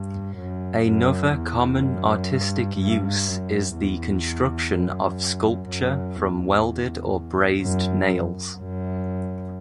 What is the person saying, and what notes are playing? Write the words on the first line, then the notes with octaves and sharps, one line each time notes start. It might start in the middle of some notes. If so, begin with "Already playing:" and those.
Another common artistic use is the construction of sculpture from welded or brazed nails.
Already playing: G2
F#2
F#2
E2
F#2
G2
G2
F#2
E2
F#2
F#2
E2
F#2
F#2